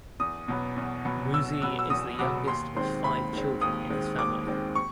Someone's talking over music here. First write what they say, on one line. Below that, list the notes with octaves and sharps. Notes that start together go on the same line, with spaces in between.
Muzi is the youngest of five children in his family.
E2 D#6
B2 F#3 B3
E2
B2 F#3 B3
E2 E6
B2 F#3 B3 E6
E6
E2 D#6
B2 F#3 B3 D6
D#2 C6
D#3 G#3 C4 C6
D#2 B5
D#3 G#3 C4
D#2 D#6
D#3 G#3 C4
D#2 D6
D#3 G#3 C4
C#6